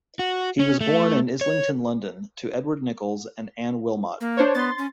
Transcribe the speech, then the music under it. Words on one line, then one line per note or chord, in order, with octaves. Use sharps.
He was born in Islington, London to Edward Nichols and Anne Wilmot.
F#4
C#4
A3
C#5
A#3
D4 C5 C#5
B3 C6 A6
C#4